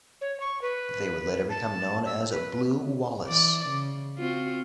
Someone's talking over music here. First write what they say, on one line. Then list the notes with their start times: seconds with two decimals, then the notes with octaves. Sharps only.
They would later become known as 'blue Wallis'.
0.21 C#5
0.40 C#6
0.62 B4
1.50 A5
2.06 E6
2.31 B4
3.27 E3 D5
3.69 C#3
4.18 C4 F4 F#4